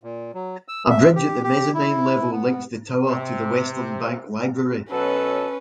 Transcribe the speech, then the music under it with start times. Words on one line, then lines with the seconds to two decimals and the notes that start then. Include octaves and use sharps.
A bridge at the mezzanine level links the tower to the Western Bank Library.
0.03 A#2
0.34 F#3
0.68 E6
0.90 E5
1.15 G4
1.44 G4
1.74 E4
2.32 B3
3.08 C3
4.91 B2 F#3 C#4 A4 B4